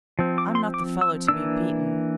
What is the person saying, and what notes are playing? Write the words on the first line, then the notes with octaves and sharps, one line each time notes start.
I'm not the fellow to be beaten.
F3 C4
D6
C6
D6
E6
E3 A#3 D4 E6